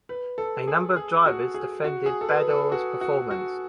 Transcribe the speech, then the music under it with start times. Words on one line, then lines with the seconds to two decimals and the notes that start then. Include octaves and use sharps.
A number of drivers defended Badoer's performance.
0.09 B4
0.38 A4
0.68 G#4
0.96 G#4
1.26 F#4
1.54 G#4
1.84 F#4
2.06 G#4
2.21 A4
2.29 B4
2.50 A4
2.72 F#4
3.01 F#4
3.31 F#4